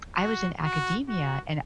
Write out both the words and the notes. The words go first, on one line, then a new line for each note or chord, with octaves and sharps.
I was in academia, and
F#4
F#4
F#4